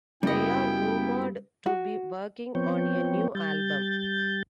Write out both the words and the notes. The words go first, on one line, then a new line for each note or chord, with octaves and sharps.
They are rumored to be working on a new album.
F#2 C#3 G3 A#3 B3 E4 D#5 G5
F#4
F3 B3 C4 C#5 G5
G3 G6 A6